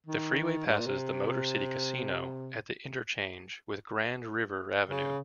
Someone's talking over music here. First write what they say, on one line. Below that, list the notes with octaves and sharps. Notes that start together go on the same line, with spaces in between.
The freeway passes the MotorCity Casino at the interchange with Grand River Avenue.
D#3
G2
G#2
A#2
C3
C#3